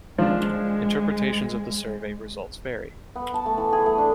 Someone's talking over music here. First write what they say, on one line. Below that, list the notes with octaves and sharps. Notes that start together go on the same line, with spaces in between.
Interpretations of the survey results vary.
F3 G#3 D4
B3
A5
A3
E3
G#4
A3
D4